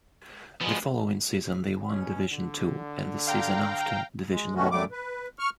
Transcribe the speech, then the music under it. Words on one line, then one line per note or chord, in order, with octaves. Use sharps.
The following season they won Division Two, and the season after, Division One.
F3 G#3 B3
B2 C#4
D3
F5 G5 A#5
G#3
B2 D#3 A3 C#4 F#4
F#2 F#3 G3 A3 D6
B4
C#6 F6